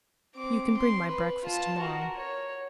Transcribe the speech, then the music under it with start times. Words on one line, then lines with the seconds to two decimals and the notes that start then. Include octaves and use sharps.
"You can bring my breakfast to-morrow."
0.36 C4 D6
0.77 C6
1.08 B4
1.43 F4 A5
1.78 F#4 A#4
2.16 C#5